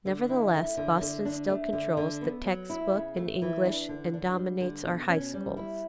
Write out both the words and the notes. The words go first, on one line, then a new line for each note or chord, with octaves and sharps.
Nevertheless Boston still controls the text-book in English and dominates our high schools.
D3
E4
A3
D3
D3
D4
A3
D3
D3
B3
F#3
E4
C#3
A3
E3
D4
D3
D4
G3
D3
B2
C#4
G3
E4